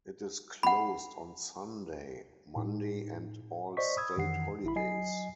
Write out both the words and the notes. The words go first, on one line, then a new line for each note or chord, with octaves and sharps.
It is closed on Sunday, Monday and all state holidays.
F#5 B5
A2 D#4
C5 D5 D#5 C#6 B6
B5 D#6 E6 G#6
F2 D#3 E3 F#5 C7
G#1 E4 B5
F#3 D#5 G#5 C7